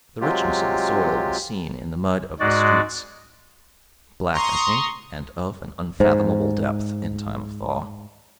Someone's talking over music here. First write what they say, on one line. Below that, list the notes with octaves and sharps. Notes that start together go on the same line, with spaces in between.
The richness of the soil was seen in the mud of the streets, black as ink, and of an unfathomable depth in time of thaw.
C3 F#3 G#3 F4 G4
G#2 G#3 F#4 D5
A#5 C6 C#6 D#6
G#2 C5